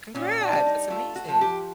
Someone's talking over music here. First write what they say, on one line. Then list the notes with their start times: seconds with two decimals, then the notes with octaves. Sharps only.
Congrats! That's amazing.
0.15 A#2 C#4
0.41 D4
0.53 G3
0.66 D#4
0.90 A3 F4
1.16 F#4
1.28 F3
1.41 G4